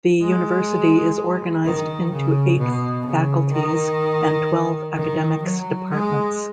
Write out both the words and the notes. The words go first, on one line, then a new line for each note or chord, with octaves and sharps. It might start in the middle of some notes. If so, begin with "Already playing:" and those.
The university is organized into eight faculties and twelve academics departments.
G#3
D#3
C#3
B2
C#3
D#3
D#3
F#3
G#3